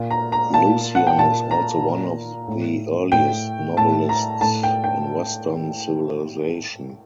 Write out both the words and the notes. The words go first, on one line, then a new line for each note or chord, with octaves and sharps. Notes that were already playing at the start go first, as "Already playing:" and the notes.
Lucian was also one of the earliest novelists in Western civilization.
Already playing: A#2
A#5
A#5
A#2 A5
F#5
G5
A#2 A5
A#5
A#2
A2
A2 G5
A2 A5
A#5
A2 A5
G5
G5